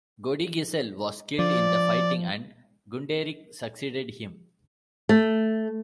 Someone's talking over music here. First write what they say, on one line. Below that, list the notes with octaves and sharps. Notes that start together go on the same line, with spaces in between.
Godigisel was killed in the fighting and Gunderic succeeded him.
F3 D5
A3